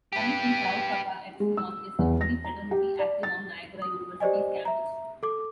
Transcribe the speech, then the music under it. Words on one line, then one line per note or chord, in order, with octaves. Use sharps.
Currently Tau Kappa Epsilon is the only fraternity active on Niagara University's campus.
G4 B4
G#3
E6
E2
A#6
A#5
G4
D5
A6
D#6
G4 C5 D5 D#5 G#5
E5 A#5
A4 D6